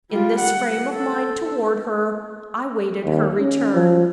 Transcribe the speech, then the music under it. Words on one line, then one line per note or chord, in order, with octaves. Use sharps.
In this frame of mind toward her, I waited her return.
G3 F4
F#5
A4
D#2
C#4
F3